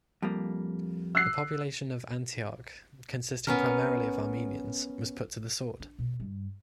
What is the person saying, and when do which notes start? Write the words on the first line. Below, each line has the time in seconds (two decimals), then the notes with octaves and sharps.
The population of Antioch, consisting primarily of Armenians, was put to the sword.
0.22 F2 G3 A#3
1.15 E6 F#6 C7
3.47 B3 C#4 A#4
5.80 D4
5.99 B2
6.20 G2